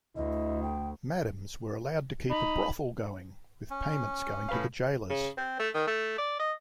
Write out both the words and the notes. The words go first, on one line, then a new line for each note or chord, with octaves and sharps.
Madams were allowed to keep a brothel going, with payments going to the gaolers.
D2 E4 D#5
G5
D#4 B5
C#4
A2 B4 F5
C#3
C4
A3
D#3
A3
D5
D#5